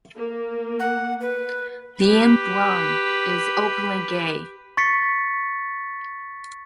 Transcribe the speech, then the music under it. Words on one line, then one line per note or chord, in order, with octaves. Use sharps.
Lynne Brown is openly gay.
A#3
F#5
B4
G4 B4
C#6 A6 B6 C#7